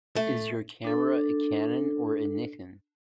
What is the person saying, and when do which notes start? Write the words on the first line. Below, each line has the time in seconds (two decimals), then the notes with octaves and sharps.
Is your camera a Canon or a Nikon?
0.16 A3
0.85 D4 A4